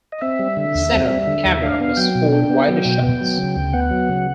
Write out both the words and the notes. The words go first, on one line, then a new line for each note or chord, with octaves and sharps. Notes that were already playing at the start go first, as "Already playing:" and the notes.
The center camera was for wider shots.
D#5
C4 E5
G3
D3
D#2
C4
G3
D3
D#2
D4 F5
B3
F#3 G5
B2
D4 G5
B3
F#3
B2
B3
F#3
C#3
D2
B3 F#5
F#3
C#3